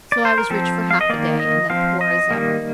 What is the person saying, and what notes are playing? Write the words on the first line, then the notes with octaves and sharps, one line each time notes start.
"So I was rich for half a day, and then poor as ever."
D5
C5
A#4
F3 C4 A4
F5
D#5
D#3 A#3 D5
D#5
F3 C4 F5
D#5
D#3 G3 A#3